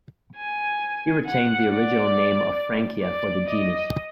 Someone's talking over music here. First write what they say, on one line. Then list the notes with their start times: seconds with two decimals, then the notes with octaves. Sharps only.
He retained the original name of "Frankia" for the genus.
0.36 G#5
1.26 F#5
1.70 D5
3.02 D5
3.46 D#5